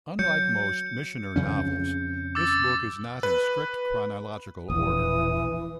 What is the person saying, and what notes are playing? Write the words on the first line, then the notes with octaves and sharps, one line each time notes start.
Unlike most Michener novels, this book is not in strict chronological order.
F#3 G6 C#7
F2 C#3 C#4
D6 E6 A6
B4
E1 A#1 E3 D#6